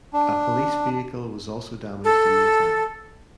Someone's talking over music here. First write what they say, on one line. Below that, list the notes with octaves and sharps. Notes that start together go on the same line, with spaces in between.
A police vehicle was also damaged in the attack.
D4
A4